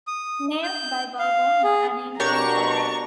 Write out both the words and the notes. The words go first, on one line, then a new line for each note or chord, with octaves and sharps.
Named by Bulbona an Indian trader.
D#6
G6
F5
G#4
B2 D4 G4 A#4 C#5 A#5 C#6